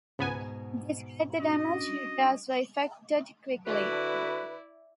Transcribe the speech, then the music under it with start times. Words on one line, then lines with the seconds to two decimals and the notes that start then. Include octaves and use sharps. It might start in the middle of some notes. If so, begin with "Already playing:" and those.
Despite the damage, repairs were effected quickly.
0.19 C#2 G#2 B2 B3 G#5
1.40 C#4 D4 F#4 D#5
3.66 D3 E4 F#4 B4 D5